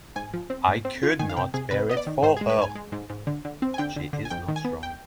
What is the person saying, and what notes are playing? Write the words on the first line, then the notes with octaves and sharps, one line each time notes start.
I could not bear it for her! — She is not strong.
G#2 G#5
F3
C4
G#2
C4
F4
D#3 G#5
F5
C3 G5
C3 G#4
C3 B4
B3 D#5
D5
D#3
G#2 C5
G#4
G#3
B4
G#2 G#5
G#3
G#2
G#2
D3
D3
C4
G#5
D3 G5
D3
D3
G#5
F2 G5
D#3
G#5
B3
G5